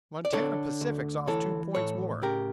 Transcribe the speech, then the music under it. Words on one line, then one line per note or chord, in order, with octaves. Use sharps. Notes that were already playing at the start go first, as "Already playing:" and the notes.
Montana Pacific's off two points more.
D5
D3 A4 C#5
D2
E3 A4 C#5
A2 A4 C#5
C#3 G4 A#4